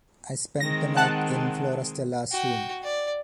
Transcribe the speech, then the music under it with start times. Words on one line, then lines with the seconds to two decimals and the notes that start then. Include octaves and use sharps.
I spent the night in Florastella’s room.
0.60 D#3 G#3 C4 A#6
0.96 F#5 A5 F#6
2.31 F#4 G5
2.83 D5